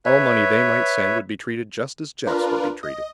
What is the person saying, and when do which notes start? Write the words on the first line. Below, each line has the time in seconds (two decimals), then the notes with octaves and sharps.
All money they might send would be treated just as Jeff's would be treated.
0.05 B4 C#5 E5
2.27 D4 F4 A#4 B4
2.83 D#5